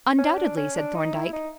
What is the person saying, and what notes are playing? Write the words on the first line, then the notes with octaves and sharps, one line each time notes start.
"Undoubtedly," said Thorndyke.
C#4
D4
C#4
D4
D#4
E4
D#4